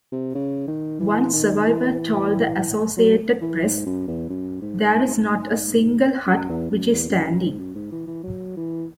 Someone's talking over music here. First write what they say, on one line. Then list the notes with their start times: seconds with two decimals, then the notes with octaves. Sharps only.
One survivor told the Associated Press: There's not a single hut which is standing.
0.12 C3
0.35 C#3
0.68 D#3
1.00 E3
1.33 D#3
1.66 E3
2.97 F#3
3.41 E3
3.64 G#2
3.86 F#2
4.08 E2
4.29 F#2
4.62 G#2
6.26 F#2
6.49 E2
6.71 F#2
6.93 E2
7.09 F#2
7.25 F#2
7.42 G#2
7.59 F#2
7.75 G#2
7.92 E3
8.07 E3
8.23 F#3
8.57 E3